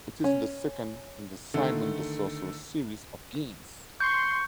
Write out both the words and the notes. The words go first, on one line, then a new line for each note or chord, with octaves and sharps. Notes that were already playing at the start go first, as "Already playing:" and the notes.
It is the second in the "Simon the Sorcerer" series of games.
C#4
D3 D#3 A3
C6 C#6 G6